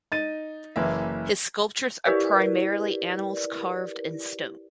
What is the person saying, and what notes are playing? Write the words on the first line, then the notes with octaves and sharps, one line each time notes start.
His sculptures are primarily animals carved in stone.
D#4 A6 D#7
F#1 E3 A#3 E5
E4 G4 A#4 B4 D5